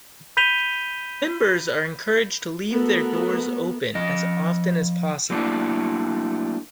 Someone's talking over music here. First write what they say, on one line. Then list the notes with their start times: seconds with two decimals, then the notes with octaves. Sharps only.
Members are encouraged to leave their doors open as often as possible.
0.37 B5 G6 B6 D#7 F7 G7
2.70 A3 B3 F#4 A4 A#4
3.95 F3 D#5
5.30 F#3 A3 A#3 D4 E4